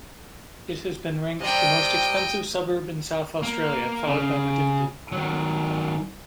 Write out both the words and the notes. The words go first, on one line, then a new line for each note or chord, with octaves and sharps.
It has been ranked the most expensive suburb in South Australia, followed by Medindie.
C3 G3 D#5 G5
A#3
C#3
D#3 F#3